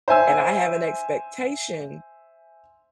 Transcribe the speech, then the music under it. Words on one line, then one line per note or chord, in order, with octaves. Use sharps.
and I have an expectation
C5 E5 G#5 E6